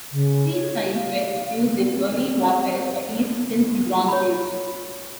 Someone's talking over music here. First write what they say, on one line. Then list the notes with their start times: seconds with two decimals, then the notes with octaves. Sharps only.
Field signs were used in early warfare at least since the Bronze Age.
0.12 C#3
0.52 C#5
0.95 F5
1.93 C4
2.72 C5
4.08 C#5 B5